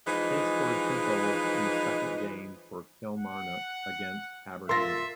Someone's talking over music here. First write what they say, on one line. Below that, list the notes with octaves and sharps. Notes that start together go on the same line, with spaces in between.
Hay scored two goals in his second game for Kilmarnock against Aberdeen.
E3 F3 G#3 D#4
F#5
F4 A#4 E5 C6 A6 A#6